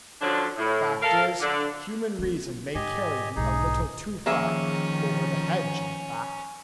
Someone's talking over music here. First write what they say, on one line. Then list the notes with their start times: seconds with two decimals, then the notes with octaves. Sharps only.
The fact is, human reason may carry you a little too far--over the hedge, in fact.
0.21 D3 F3 F#3 C#4 D4
0.57 A2
1.01 A4 A#4 F5
1.40 D3
2.19 B3 C#4
2.75 G#2 G4 D#5 G#5
3.36 B1 G#2 D#4 G#4
4.26 D#3 F3 A#3 C#4 G#4 E5